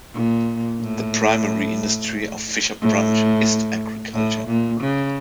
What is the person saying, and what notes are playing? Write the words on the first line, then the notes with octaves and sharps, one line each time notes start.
The primary industry of Fisher Branch is agriculture.
A#2
A2
A2
A2
A#2
C#3